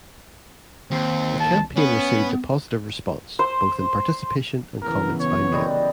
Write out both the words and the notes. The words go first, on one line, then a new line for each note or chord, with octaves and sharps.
The campaign received a positive response, both in participation and comments by mail.
D#2 C4
A5
B3 C#4
C5
C#3 E3 B3 A#4
C#5
F#2 G3 D#5